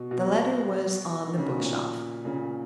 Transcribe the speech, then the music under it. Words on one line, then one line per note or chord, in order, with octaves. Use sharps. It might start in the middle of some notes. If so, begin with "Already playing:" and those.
The letter was on the bookshelf.
Already playing: B2
B2
D#3
C#3
B2
A#2 C#3
A#2 C#3